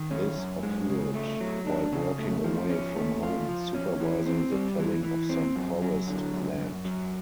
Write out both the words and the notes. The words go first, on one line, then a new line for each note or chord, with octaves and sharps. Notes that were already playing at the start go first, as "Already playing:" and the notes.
This occurred while working away from home supervising the felling of some forest land.
Already playing: D#3
C#4
F#2
G#3
C#3
A3
F#3
D4
C#3
A3
F3
C#4
A3
F4
F3
C#4
E3
C4
G3
E3
E3
C4
F#2
F#3
D3
F#2
F#2
F#3